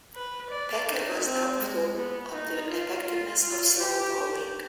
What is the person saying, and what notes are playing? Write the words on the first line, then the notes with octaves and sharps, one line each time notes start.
Packer was doubtful of the effectiveness of slow bowling.
B4
D5
D#4
C4
G#3
B3
D#4
F4
F4
F4
G4